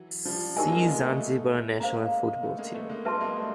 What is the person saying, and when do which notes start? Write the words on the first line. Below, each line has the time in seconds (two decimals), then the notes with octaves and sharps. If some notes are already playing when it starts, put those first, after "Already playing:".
See "Zanzibar national football team".
Already playing: E3 F#3
0.25 F3 G3
0.56 F#3 G#3 D#4 G4 A#4 D#5 G#5
0.72 G#3 A#3
0.87 G#3 A#3
1.03 A3 B3
1.80 G#3 A#3 C5 F5 A#5
2.43 A3 B3
2.58 G#3 A#3
2.74 A3 B3
2.89 G#3 A#3
3.05 F#3 G#3 B4 E5 A5 C6
3.14 B3
3.21 G#3 A#3
3.36 G3 A3